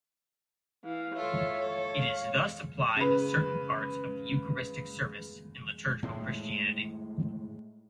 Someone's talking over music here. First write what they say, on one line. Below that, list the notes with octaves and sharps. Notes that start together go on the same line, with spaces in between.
It is thus applied to certain parts of the Eucharistic service in liturgical Christianity.
E3 F5
F4 A4 C#5 E5
A4
F5
C#3 B4
A2 G#3